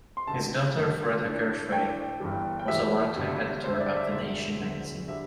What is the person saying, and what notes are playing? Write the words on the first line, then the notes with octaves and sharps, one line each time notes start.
His daughter Freda Kirchwey was a longtime editor of "The Nation" magazine.
C6
A1 G2 D3 A3 A5
A1 G2 D3 A3
A2 A3 D4
A2 A3 D4 G5
G1 G2 E3 G3
G5
G1 G2 E3 G3 E5
G1 G2 D3 G3 D4
G1 G2 D3 G3 D4 C5
E5
D5
E5
E1 D2 D3 E5
E1 D2 D3
D3 G3 E5